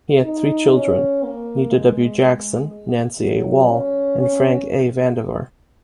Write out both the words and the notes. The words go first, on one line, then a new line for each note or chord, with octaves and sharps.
He had three children, Nita W. Jackson, Nancy A. Wahl, and Frank A. Vandiver.
D#4
C#4
A#3
G#3
G#3
F#3
C#4
C#4